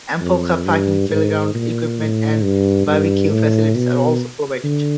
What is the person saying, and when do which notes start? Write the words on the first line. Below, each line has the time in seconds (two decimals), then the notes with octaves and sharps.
Ample car parking, playground equipment and barbecue facilities are also provided.
0.21 F2
0.66 G2
1.10 G#2
1.55 A#2
1.99 A2
2.42 G2
2.87 G2
3.32 A2
3.75 B2
4.64 D3